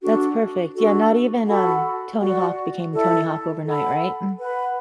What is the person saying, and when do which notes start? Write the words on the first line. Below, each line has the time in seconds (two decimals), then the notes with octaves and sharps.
That's perfect, yeah, not even, um, Tony Hawk became Tony Hawk overnight, right? Mm.
0.01 D4 F#4 A4
0.74 D4 F#4 A4
1.47 F#4 A4 F#5 B5
2.20 F#4 D5 F#5
2.93 E4 A4 E5
3.66 A4 F#5 B5
4.39 B4 F#5 B5